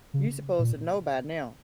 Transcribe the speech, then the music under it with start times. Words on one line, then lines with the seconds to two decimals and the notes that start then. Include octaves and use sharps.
you supposed to know by now.
0.14 C#3
0.59 A#2